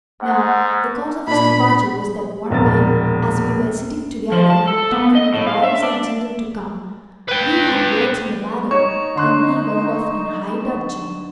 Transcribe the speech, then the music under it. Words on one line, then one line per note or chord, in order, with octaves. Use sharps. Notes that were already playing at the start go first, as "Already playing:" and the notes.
Now the cause of his departure was that one night, as we were sitting together and talking of wives and children to come, we had words on the matter and he went off in high dudgeon.
G#2 F#5
A#2 D4 B5
E1 A#1 A#4 A6
F3
A5
A4
B3
D#5
A2
F5
E5
D4
B4 G5
D#4 C#5 C#6
D3 C6 F#6